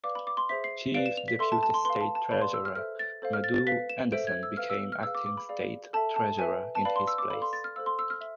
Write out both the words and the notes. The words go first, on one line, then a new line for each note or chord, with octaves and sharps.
Chief deputy state treasurer Madhu Anderson became acting State Treasurer in his place.
B4 D5 F5 D6
B5
D6
C6
G#4 C5 E5 B6
C7
B4 D5 F5 D7
E7
F7
B6
A4 E5 C6
A5
A5
C6
B4 F5 C6
A5
A5
G#4 B4 D5 F5 B5
C6
E6
F6
A4 C5 E5 F6
A6
A4 C5 F5
F6
A6
A6
B4 F5 B6
E7
A4 C5 E5 D7
G#6
E6
B4 F5 F6
E6
F6
G#4 B4 F5 E6
D6
D6
B5
G#4 D5 F5
A4 E5 A5
A5
B4 E5 G#5
A5
B4 D5 F5 B5
C6
E6
D6
A4 D5 F5 B5
C6
A6
F6
A4 C5 F5 E6
C6
E6
F6
E5